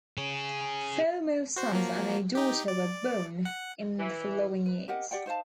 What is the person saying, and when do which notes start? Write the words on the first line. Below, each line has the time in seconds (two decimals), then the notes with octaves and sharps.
Four more sons and a daughter were born in the following years.
0.18 G#4 C#5
1.56 F#4 C5
1.72 F3 F#3 A#3
2.35 D#4 G4
2.68 D5
3.45 F#5
3.98 E3
4.66 B4
4.88 G4 A#4 D#5 F#5
5.11 G4 D5 F#5 G5
5.26 D#4 C5 F5 A5